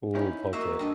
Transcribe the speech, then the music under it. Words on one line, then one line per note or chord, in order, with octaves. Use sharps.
Ooh, poke,
C#4 D#4 E4
A#3 F#4 D#5 E5
G2 A4 D#5